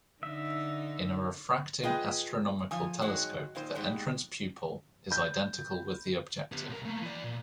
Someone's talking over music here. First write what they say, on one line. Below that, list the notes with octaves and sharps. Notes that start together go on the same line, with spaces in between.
In a refracting astronomical telescope the entrance pupil is identical with the objective.
D3 D#4 E5
F4 G#4 B4 D#5 G5
F3 G#5
D#3 F#3 G#3 F#4
A#2 D#3 C5
G#2 G3 G#3
B5 G6
B3 G4
C2 A#4
A3 A#3
E3 D5
A#2